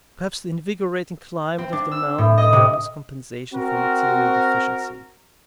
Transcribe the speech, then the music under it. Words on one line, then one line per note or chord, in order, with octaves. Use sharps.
Perhaps the invigorating climate of the mountain camp was compensation for material deficiencies.
C4
D4
E6
A2
D#5
C3
C4 F#4 A#4